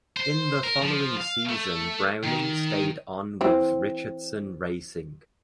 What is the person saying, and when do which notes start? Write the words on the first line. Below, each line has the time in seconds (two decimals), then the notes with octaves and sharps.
In the following season Browning stayed on with Richardson Racing.
0.17 C5
0.64 A#4
0.82 F3
1.17 F5
1.49 A3
2.23 D#3
3.41 E3 C4